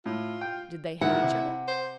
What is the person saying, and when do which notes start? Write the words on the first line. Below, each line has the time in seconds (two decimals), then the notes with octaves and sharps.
Did they hate each other?
0.06 A2 F4
0.41 G5
1.01 D#2 A#2 D#3 E4 F#5
1.23 C3
1.68 C5